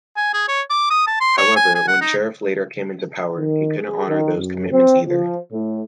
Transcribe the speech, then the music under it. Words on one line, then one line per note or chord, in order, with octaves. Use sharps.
However, when Sharif later came into power, he couldn't honour those commitments either.
G#5
G#4
C#5
D6
D#6
A5
C6
C#5
G#5
G#5
F#5
D#4
D#3
G#4
D#3
F#2
C4
F3
A2